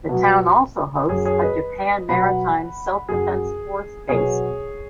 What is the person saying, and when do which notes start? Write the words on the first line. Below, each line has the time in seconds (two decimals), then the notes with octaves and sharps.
The town also hosts a Japan Maritime Self-Defense Force base.
0.09 B2 F#3
1.08 F#2 F#3 G#4 C#5
1.25 G#4 C#5
1.42 B4 D#5
2.09 B2 F#3 F#5 B5
3.09 F#2 F#3 G#4
4.09 B2 F#3 G#4 C#5